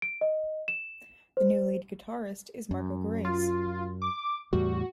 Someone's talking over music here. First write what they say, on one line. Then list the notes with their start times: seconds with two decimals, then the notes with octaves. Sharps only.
The new lead guitarist is Marco Gerace.
0.02 D7
0.21 D#5
0.68 E7
1.37 C5
2.71 F#2
3.25 F4
4.02 D6
4.53 E2 A2 G3 F#4